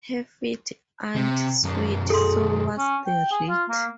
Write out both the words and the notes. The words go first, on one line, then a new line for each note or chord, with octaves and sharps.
Her feet ain't sweet so what's the reet?
C3
B1 F#2
G#4 A4 C6
C#4
G5
G#4
F4
A#3